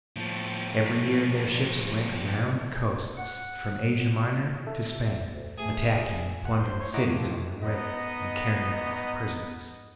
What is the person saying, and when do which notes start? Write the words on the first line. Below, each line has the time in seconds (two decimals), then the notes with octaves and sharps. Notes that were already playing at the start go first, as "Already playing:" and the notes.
Every year their ships went round the coasts from Asia Minor to Spain, attacking and plundering cities on their way and carrying off prisoners.
0.16 A2 F3
3.17 F#5
4.40 G#2
4.67 C3 A4 E5
5.30 D2
5.58 A3 G#4
5.77 C3
6.45 F#5
6.59 C5
6.80 C5 C#5
6.94 E4 C#5 D#5 F#5 A#5 D6
7.11 A2 C3 F3
7.63 B3 D#4 D#5